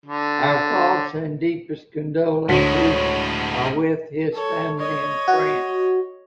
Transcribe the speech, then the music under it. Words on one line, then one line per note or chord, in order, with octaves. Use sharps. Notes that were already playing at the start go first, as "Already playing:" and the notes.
Our thoughts and deepest condolences are with his family and friends.
D3
D2 A2 G#3 C#5 B6
A4 C#5
C#5 D#5
F#4